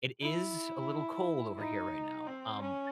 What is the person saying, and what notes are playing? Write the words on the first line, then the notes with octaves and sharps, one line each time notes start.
it is a little cold over here right now, um
E4
D#4
C4
C#4